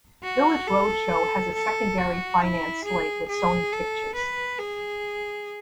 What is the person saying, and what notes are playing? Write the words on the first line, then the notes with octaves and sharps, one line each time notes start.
Village Roadshow has a secondary finance slate with Sony Pictures.
F#4
A4
A4
F#4
E4
G#4
G#4
A4
B4
G#4